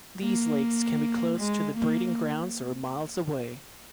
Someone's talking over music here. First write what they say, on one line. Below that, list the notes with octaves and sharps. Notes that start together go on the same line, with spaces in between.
These lakes can be close to the breeding grounds or miles away.
A#3
G#3
A#3